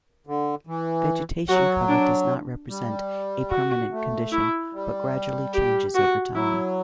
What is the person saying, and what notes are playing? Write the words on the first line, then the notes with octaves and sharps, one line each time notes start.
Vegetation cover does not represent a permanent condition but gradually changes over time.
D3
E3
F#3 F#4
D4
G3
F#4
A3
E4
G3
G4
F#4
F#3 E4